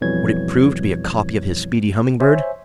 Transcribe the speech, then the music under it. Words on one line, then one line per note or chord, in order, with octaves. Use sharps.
Would it prove to be a copy of his speedy Humming-Bird?
F2 B2 E3 G3 C#5 G#6
C5 C#5 E5 G#5